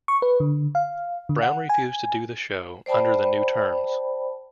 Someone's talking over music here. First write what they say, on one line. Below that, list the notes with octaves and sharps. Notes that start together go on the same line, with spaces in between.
Brown refused to do the show under the new terms.
C#6
B4
D3
F5
D3
F#5
G#5
C5 D5 G5 A5 B5